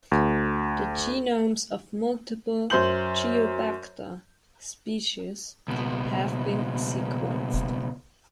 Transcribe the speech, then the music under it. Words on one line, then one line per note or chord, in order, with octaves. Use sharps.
The genomes of multiple "Geobacter" species have been sequenced.
D2
F#2 C5 C6 G6 F#7
C#2 B2